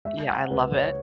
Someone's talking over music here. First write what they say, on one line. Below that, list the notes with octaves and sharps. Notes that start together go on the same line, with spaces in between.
Yeah, I love it.
G#3 E5
F#5
C#2 B4
C#5